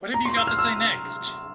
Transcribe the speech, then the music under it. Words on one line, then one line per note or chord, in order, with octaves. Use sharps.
What have you got to say next?
A#5
C6
E6
F6
E6